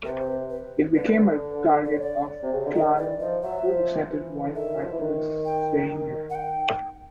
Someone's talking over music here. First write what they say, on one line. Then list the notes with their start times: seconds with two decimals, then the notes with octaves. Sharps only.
It became a target of the Klanm who resented white activists staying there.
0.05 C3 B4
0.21 C5
0.27 B4
0.50 B4
0.95 D3 B4
1.85 D5
1.93 C#5
2.01 D5
2.43 C3
2.53 C#3
2.65 D3
2.74 D#3 D#5
2.97 E3 D5
3.20 F3 D#5
3.43 F#3 E5
3.66 F3
4.10 E3
4.47 D3
4.55 D#3 E5
4.73 F#3
4.82 F3
4.91 E3
5.00 D#3
5.45 G5
6.30 F#5
6.35 G5